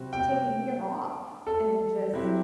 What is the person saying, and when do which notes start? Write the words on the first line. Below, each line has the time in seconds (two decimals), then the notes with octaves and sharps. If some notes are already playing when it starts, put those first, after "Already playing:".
to take a year off, and just,
Already playing: C3 G3 C4 F#4
0.13 G5
1.47 A4
2.13 F#3 C4 E4 G4